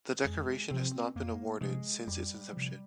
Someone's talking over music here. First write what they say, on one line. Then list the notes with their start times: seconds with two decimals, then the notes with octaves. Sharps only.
The decoration has not been awarded since its inception.
0.25 F2 G#3
0.71 C3 F3 C4
1.15 F2 A#3
1.61 C3 F3 G#3
2.07 F2 G3
2.53 C3 F3